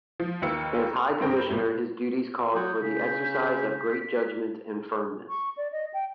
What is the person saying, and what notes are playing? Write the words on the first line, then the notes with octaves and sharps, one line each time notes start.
As High Commissioner his duties called for the exercise of great judgment and firmness.
F3
D#2 D#3 F4 B4 E6 C#7
F7
G2 C4 A#4 C5 G5
C2 A2 A3
F#3 D#6 G6
C#3 B6
B6
C#6
D5
D#5
G5